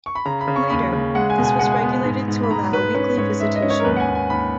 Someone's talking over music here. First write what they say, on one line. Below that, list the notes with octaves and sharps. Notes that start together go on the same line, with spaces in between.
Later, this was regulated to allow weekly visitation.
C#6
B5
C#3 A#5
B5
C#3
C#6
D#2 B5
C#3
G#3 F#5
G#5
B2
G#5
G#3 F#5
G#5
B3
G#2
G#2
B5
G#2 A#5
G#2 B4
C#4 B4
G#2 C#5
G#2 E5
D#5
C#4
C#5
A#4
D#2 B4
F#5
G#5
D#2
G#5
D#2 B5